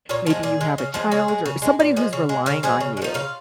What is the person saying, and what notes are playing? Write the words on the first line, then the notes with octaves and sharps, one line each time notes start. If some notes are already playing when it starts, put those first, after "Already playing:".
maybe you have a child er somebody who's relying on you,
A#2 C#5
F3 G#3 A#4
A#2 G#4
G#3
C#3
F3 G#3
C#3 G#4
G#3
C#3
G#3
A#2
F3 G#3
C#3
G#3
C#3 A#4
F3 G#3 G#4
C#3
G#3
F3 D#4
C#3 F4